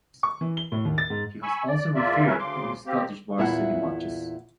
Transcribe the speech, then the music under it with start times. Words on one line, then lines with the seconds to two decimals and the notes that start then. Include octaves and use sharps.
He has also refereed in Scottish Varsity matches.
0.23 C#6
0.41 E3
0.57 G7
0.72 A2
0.85 D#2
0.98 A6
1.10 G#2
1.43 G#5 B5 C#6 E6
1.68 D5
1.95 E2 A#3 F4 D5 E5
2.26 C#4 E4 A#4 B4 E5
2.39 D2 C#3 C6 D6
2.86 A#3 C4 G4
3.38 E2 A#2 E4 G4 F#5